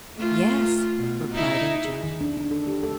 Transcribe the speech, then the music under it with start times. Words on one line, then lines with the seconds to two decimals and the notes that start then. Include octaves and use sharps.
"Yes," replied Ojo.
0.16 A3 F4
0.98 B2
1.33 D#4 E4
1.85 G#4
2.04 D#3
2.21 D4
2.37 D4
2.51 A4
2.67 G4
2.83 A4